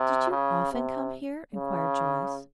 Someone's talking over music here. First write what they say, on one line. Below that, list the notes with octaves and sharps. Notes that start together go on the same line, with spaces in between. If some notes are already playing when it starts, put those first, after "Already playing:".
"Did you often come here?" inquired Joyce.
Already playing: C3
C#3
C3
C#3